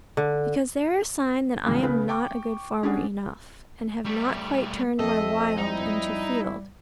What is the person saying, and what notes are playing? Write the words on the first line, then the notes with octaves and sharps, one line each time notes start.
Because they are a sign that I am not a good farmer enough, and have not quite turned my Wild into Field.
D3
E1 C2 C#3
C#3 B3 B4
G5 C#6 D6
C#4 D4 G#4 F#5
G3 A3
F2 C4 A4 D#5 E5
G3 D#4 E4